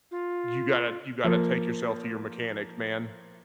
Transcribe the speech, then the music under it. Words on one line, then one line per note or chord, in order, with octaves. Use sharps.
you gotta you gotta take yourself to your mechanic, man.
F4
F3 A#3